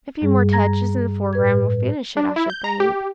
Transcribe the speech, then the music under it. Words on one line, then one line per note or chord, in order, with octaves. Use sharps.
'A few more touches in the foreground will finish it, I should think.
G2 G3 G#4
A#5 G#6 A#6
A2 B4 G#6
D4
E4
G6
A#5
G4